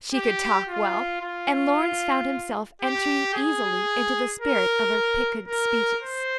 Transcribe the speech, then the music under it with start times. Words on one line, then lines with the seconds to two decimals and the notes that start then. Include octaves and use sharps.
She could talk well, and Lawrence found himself entering easily into the spirit of her piquant speeches.
0.14 G4
0.68 F4
1.21 F4
2.82 G4
3.34 G#4
4.41 A#4
5.48 A#4
6.02 C5